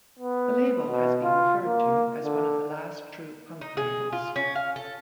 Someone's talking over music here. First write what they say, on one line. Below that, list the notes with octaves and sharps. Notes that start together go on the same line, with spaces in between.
The label has been referred to as one of the last true punk labels.
B3
B2
F4
A#3
D3
D#4
G#4
F4
C#4
F5
A4